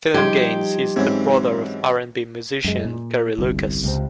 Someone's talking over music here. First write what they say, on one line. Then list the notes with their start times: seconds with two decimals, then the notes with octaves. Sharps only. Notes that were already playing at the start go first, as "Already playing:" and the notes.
Phillinganes is the brother of R and B musician Carrie Lucas.
0.14 F3 G3 D#4 G4 C6 G#6
0.96 G#2 E3 F#3 C4 C#4 G#6
2.64 F#2 G#3
2.85 A#2
3.38 G1 C2
3.84 C#2 C3 C4